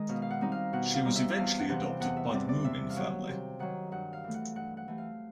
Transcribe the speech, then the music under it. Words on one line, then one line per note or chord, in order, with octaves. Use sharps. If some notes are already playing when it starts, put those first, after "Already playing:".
She was eventually adopted by the Moomin family.
Already playing: D#3 G#3 D#5
B2 F5
F5
F#5
G3 C4 D#4
F5
B2 F#5
F5
G3 C4 D#4
E5
E2 F5
F#5
C3 E3 G3 C4 F#5
G5
E2 F#5
E5
C3 E3 G3 C4 D5
D5
C3 E5
F5
D#3 F#3 F#5
C3 G5
D#3 F#3 F#5
G2 F#5
F5
E3 A3
F#5
G2 F#5
F#5
E3 A3
F5